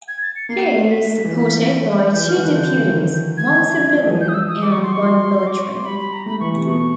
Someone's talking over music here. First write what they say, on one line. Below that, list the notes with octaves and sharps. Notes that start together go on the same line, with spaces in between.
He is supported by two deputies - one civilian and one military.
G#6
A6
C#7
A#3 C7
B6
E3
F3
E3 G6
F3
F6
E3
D#3 F#6
D3 G6
D#3
E3
D#3
D#3
G#6
F3
F3
E3
F3 G6
D#6
E6
D#6
D6
C#6
C6
C#6
F#3 C6
D6
C#6
C6
G3 B5
B5
A#5
A3 B5
E3 C#6
C3 C#6
B2 C#6